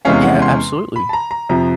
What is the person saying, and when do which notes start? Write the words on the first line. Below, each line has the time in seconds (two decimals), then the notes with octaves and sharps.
Yeah, absolutely.
0.05 E2 C3 E3 G#3 C#4 F5
0.23 F#5
0.42 C6
0.96 B5
1.09 A5
1.13 A#5
1.31 A#5
1.49 F2 C3 F3 A#5